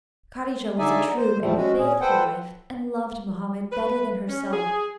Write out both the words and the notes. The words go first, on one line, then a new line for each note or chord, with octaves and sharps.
Kadijah was a true and faithful wife and loved Mohammed better than herself.
D3 D#4 G#4 D5 E5 G#5
C5
E2 A#2 F3 G3 A3
G#3 C#4 F#4
A#2 C#4 G#4
A4 B4 C5 F#5 G5
B4
C#4
G#4